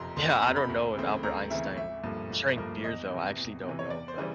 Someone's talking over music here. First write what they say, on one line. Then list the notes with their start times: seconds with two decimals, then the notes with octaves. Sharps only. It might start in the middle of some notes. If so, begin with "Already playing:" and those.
Yeah, I don't know if Albert Einstein drank beers, though, I actually don't know, but
Already playing: F#1 F2 C3 A#5 C6
0.16 F#1 C6
0.30 B5
0.43 F2 C3 A#5
0.56 B5
0.70 D2
0.96 C#3 E3 A3 C4
1.23 D2 A#5
1.50 C#3 E3 A3 C4 E5
1.77 G#1 E5
2.04 G2 D3 F3 A#3
2.30 G#1
2.57 G2 D3 F3 A#3
2.84 E2 D#5
3.10 C3 E3
3.37 E2
3.64 C3 E3
3.79 C#5
3.90 E2 D5
4.08 C5
4.17 C#3 E3 G3